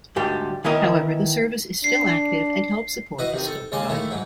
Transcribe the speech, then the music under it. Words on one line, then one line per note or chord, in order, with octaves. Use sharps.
However the service is still active and help support is still provided.
D2 G#2 G3 G5
D#3 E3 B3 A#4 D#5
D4 C7
E4 F#4 B4 D#5
C3 D#3
A4
D#2 C#3 G#3 A5 C6 D6
D#3 A3 E4
G#2 F#3